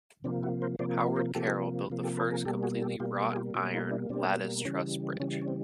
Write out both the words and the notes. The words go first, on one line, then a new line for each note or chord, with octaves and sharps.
Howard Carroll built the first completely wrought-iron lattice truss bridge.
C3 F3 A#3 C4 D4
E4 F#4
A#4 C5
C3 F3 A#3 C5 D5
B4 C#5
A#4 C5
C3 F3 A#3 G4 A4
C3 F3 A#3
G4 A4
A4 B4
G#4 A#4
B2 G3 A#3 G4 A4
F#4 G#4
G4 A4
B2 G3 A#3 F4 G4
G#4
F4 G4
B2 G3 A#3 E4 F#4
D#4 F4
D4 E4
B2 G3 A#3 C4 D4
C#3 E3 G3 C#4
C#3 E3 G3 C#4
C#4
C4